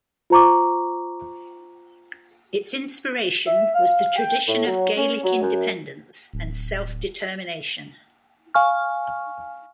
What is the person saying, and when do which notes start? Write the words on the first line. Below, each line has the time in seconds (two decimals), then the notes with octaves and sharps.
Its inspiration was the tradition of Gaelic independence and self-determination.
0.30 F4 C5 A#5 C#6 D6
3.46 E5
3.75 F5
4.16 G5
4.48 A2
4.66 F#3
4.96 C#4
5.23 F#3
5.41 F#2
6.33 D1
8.54 F5 G#5 C#6 F6